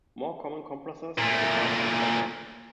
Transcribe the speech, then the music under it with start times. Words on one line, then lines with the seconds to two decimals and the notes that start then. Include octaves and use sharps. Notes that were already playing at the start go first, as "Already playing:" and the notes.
More common compressors can compress this better.
1.18 A#2 A3